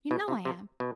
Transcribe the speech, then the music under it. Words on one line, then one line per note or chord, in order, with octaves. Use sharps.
You know I am!
B2
C3
C3
B2